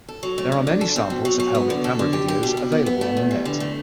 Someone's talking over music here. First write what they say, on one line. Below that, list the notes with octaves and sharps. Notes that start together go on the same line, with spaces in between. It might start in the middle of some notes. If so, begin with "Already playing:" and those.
There are many samples of helmet camera videos available on the net.
A4
F#3
A3
D3
D4
A4
C4
B2
F#3
F#3
B3
D3
A4
D3
G4
G4
B2
E4
B3
B3
A3
E2
G3
D3
A3